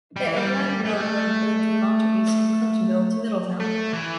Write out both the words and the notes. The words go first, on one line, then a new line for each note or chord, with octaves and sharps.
The Airline Railroad ran through Montowese and Clintonville to Middletown.
G3
E3
G3
A3
G3
A3
A3
E3